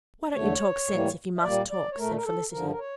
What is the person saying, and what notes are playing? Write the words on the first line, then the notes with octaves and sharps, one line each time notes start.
"Why don't you talk sense, if you must talk?" said Felicity.
E2 D3 A3 C#5
A2 E3 G3 A#3
E5
A#2 G3 A#3 D5
D5
C#5
A#2 A3 A#4
A#4
A4
G2 D3 F3 A#4
A#4
C#5